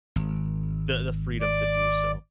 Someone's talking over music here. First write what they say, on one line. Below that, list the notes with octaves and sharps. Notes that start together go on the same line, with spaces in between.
the the freedom to do so.
G#1
D5 D6